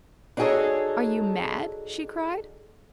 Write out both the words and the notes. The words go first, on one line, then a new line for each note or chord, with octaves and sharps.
"Are you mad?" she cried.
D4 D#4 F#4 G#4 A4 C#5